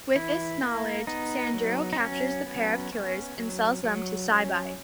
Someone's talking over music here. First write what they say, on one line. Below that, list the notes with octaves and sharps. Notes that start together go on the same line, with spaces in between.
With this knowledge, Sanjuro captures the pair of killers and sells them to Seibei.
E3 E4
A#3
B3 D#4
F#3
D#4
F#3 C#4
B3
C#4
F#3
F#3
C#4